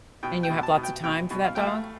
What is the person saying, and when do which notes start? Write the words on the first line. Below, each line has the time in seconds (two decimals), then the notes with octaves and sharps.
And you have lots of time for that dog?
0.23 B2 G5
0.43 G5
0.50 B2
0.63 A5
0.77 B2
0.83 G5
1.04 B2 G5
1.31 B2
1.44 F5
1.55 A3 G5
1.67 F5